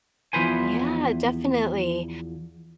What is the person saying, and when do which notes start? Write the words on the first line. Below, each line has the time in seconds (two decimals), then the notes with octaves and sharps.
Yeah, definitely.
0.33 E2 F3 E4 B4 C5 G#5